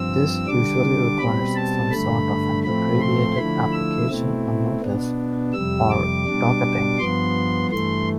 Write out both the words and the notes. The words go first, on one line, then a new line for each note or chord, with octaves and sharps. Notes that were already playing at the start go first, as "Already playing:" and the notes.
This usually requires some sort of an abbreviated application on notice, or docketing.
Already playing: G2 F3 C4 E6
D3 G3 D4 D6
B2 G3 C4 B5
A5
G2 D3 A3 B5
A2 F3 A3 C4 B5
C6
D3 F3 A3 E4 B5
E6
B2 A3 C4 E4
B2 B3 D4
F2 C3 G3 E6
D6
B2 G3 D4
G2 F3 B3 C6
G2 E3 A3 C6